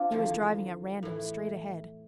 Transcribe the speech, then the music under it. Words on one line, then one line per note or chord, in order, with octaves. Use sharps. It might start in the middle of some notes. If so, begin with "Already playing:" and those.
He was driving at random, straight ahead.
Already playing: C4 D4 F4
E2 D3 F3
A2 E3